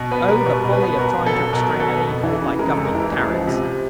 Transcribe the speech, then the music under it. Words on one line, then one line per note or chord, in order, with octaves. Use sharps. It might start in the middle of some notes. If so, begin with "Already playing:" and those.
Oh, the folly of trying to restrain an evil by government tariffs!
Already playing: B2
B3 B4
G3 A#4
B2 B4
B2
B4
B3
B2 A#4
B3
A4
F#3
B2 A#4
B2
A4
B3
F2
E3
C#3
G#3 A#4
F2 A4
A#4
E3
C#2
F3
C3